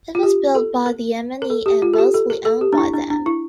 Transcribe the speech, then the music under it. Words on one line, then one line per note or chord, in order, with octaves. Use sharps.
It was built by the M and E and mostly owned by them.
F4
G4
A4
A#4
A#4
A4
G4
F4
A4
G4
A4
A#4
A4
G4
D4
E4
D4
D4
E4